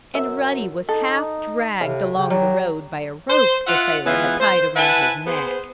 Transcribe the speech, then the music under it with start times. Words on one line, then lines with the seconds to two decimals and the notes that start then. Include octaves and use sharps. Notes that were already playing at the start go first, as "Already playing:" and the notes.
And Ruddy was half dragged along the road by a rope the sailor had tied around his neck.
0.15 F#2 E5
0.89 D#4 A4
1.81 A2 C3 F5
2.18 C#3 G4
2.30 F#3 G3
3.30 C5
3.67 F4 E5 F#5
4.06 E3 G#3 B3 F4 G#5
4.40 C5
4.76 E4 B4 F#5 G#5 A5
5.27 B3 G#4 C5